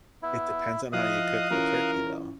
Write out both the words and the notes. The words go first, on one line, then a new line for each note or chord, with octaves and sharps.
It depends on how you cook the turkey, though.
B3 E4
F3 E4 D#5 F5 D#6 F#6
E3 C#4 F4 A#4